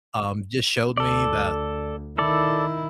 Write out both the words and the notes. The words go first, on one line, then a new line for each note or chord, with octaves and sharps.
Um, just showed me that,
D2 A4 D5
D#3 E4 A4 D5